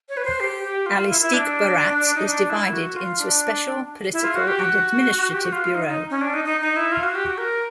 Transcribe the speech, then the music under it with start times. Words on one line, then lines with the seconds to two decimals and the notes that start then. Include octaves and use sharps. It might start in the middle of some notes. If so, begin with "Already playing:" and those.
Al-Istikhbarat is divided into a Special, Political and Administrative Bureau.
0.09 C#5
0.17 B4
0.25 C5
0.40 G4
0.64 G4
0.86 F4
0.98 F4
1.10 E4
1.21 E4
1.33 D4
2.15 D#4
2.26 D4
2.50 E4
2.73 F#4
2.96 F4
3.20 D4
4.13 E4
4.24 F4
4.36 F#4
4.47 G4
4.59 F#4
5.32 G4
5.42 F#4
5.52 F4
5.64 F4
5.75 D#4
5.87 D#4
6.10 C#4
6.21 D4
6.33 D#4
6.45 D#4
6.61 D#4
6.76 E4
6.92 F4
7.03 F#4
7.15 G4
7.26 F#4
7.38 A#4